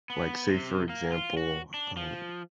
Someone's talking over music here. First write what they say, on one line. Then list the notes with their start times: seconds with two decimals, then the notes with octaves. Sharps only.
like, say, for example, um
0.10 B3
0.50 C3
0.89 A#3
1.12 F4
1.37 F#4
1.74 D4
1.97 F3